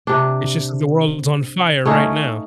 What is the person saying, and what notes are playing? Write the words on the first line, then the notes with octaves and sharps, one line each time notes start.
It's just that the world's on fire right now.
C3 D4
A3 C#4 D#4 F5